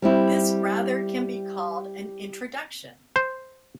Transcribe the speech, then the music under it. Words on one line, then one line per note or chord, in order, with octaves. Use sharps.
This rather can be called an introduction.
G3 C4 E4 G4
C5